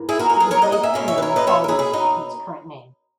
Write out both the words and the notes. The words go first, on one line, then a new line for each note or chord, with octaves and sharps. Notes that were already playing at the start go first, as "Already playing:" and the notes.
It was later renamed the following year to its current name.
Already playing: G#2 E3 A#3
E4 G#4
F#4 A#4
F#4 A#4
G#4 B4
A#4 C#5
D#5 F#5
D#5 F#5
E5 G#5
B2 A#3 C#4
C#5 E5
B4
A#4 C#5
B4 D#5
C#5 E5
A#4
G#4 B4
E4 G#4
D#4 F#4